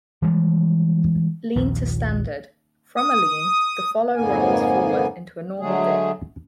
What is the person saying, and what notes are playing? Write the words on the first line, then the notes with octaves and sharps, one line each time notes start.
"Lean to Standard:" From a lean, the follow rolls forward into a normal dip.
E3 F3 G3 G#3
A#1 D#2 A#2
D#6
F2 G#2 C#3 A#3 B3 G#5
D3 F#3 G#3 A3 G#4